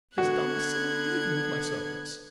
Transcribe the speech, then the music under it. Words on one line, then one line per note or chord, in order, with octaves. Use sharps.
She has done the same even with my servants.
D3 B3 F#4 F#6 G#6